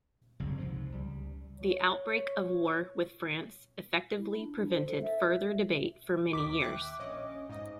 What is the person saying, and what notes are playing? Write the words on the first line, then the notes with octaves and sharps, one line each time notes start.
The outbreak of War with France effectively prevented further debate for many years.
F#1 C2 C#3
C2 G#2 F3
C#2 G3
C#5
E4
D4
D4
C5
A4
E5
D#2 D#3 D6 B6
E5 G5 F#6
A#1 C#4 D#5
G#2 D#5